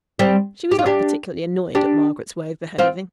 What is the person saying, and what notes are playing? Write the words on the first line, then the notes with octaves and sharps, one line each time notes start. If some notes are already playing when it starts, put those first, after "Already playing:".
She was not particularly annoyed at Margaret's way of behaving.
G3 C4
G4
F4
D4 G4
D4 G4
C4 F4